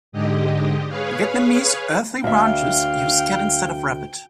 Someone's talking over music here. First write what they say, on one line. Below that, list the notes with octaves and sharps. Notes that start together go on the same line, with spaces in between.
The Vietnamese Earthly Branches use cat instead of Rabbit.
G#2 D3 G#3 G4 D#5
G#4 B4 C#5 F5
D2 E5 F5 G5